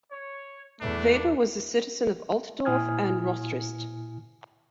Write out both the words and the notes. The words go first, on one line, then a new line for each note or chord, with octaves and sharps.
Weber was a citizen of Altdorf and Rothrist.
C#5
E2 A3 D4 G4 B4
A#2 E4 G#5 D#6 F6 G#6